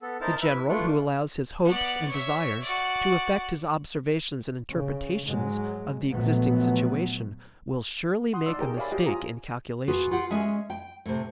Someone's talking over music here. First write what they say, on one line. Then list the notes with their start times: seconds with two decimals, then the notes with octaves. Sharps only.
The general who allows his hopes and desires to affect his observations and interpretations of the existing situation will surely make a mistake in calculation.
0.02 B3 A4
0.21 D#4 E4 A#4 C5 A5
0.42 E4 B4 E5
0.69 A3 D4 E4 F4 B4 C#6
1.65 B3 D5
2.09 C#5 E5
2.63 F#4 D5
4.71 C#3
5.26 G#2 F#3 G#3
6.11 A#1 A#2 F#3 A3 B3
8.33 F#5 C6 D#6
8.46 D#4 D5 C6 E6
8.59 G4 G#4 A#4 G5
8.77 C#5 D5 E5 F5 G#5 B5
8.91 F#4 G4 D#5 G5
9.05 F4 G#5 A#5 D#6
9.88 F4 F#4 G#4 B4
10.11 F4 G4 F#5
10.30 G#3 C#4 G#4 E5 G#5
10.70 G5
11.06 A2 C3